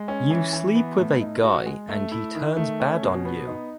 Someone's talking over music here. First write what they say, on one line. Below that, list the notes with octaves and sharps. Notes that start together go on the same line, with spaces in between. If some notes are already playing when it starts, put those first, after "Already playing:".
You sleep with a guy and he turns bad on you.
Already playing: G#3
C#4
E3
E3
B3
A2
D#4
F#4
G#3
A3
E4
D#3
A3
C#4
B2
B3
D#4